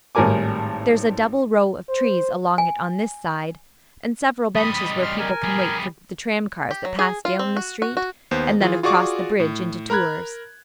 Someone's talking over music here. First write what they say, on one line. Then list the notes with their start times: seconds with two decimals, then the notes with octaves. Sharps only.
There's a double row of trees along it on this side, and several benches where people can wait for the tram-cars that pass down this street and then across the bridge into Tours.
0.15 G#1 A2 G3 A#4 G#5 D6
1.89 C5
2.58 G#5
4.55 G3 D#5 B5 D#6
5.02 C6 F6
5.19 A#4 G#5
5.44 G3 G#4
6.71 G4
6.85 F#3
6.99 G#4
7.25 F4
7.39 C4
7.56 F#4
7.82 F#4
7.97 F#4
8.31 D#2 B3 C5
8.60 E3 F4 G#4
8.83 F4 F#4 G#4 D5 C#6 D6
9.40 A2
9.90 A#4 A#5 B5 F#6 G#6